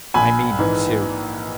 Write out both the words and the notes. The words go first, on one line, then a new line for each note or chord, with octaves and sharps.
I mean it too.
A#1 G#5 B5
G#2 E3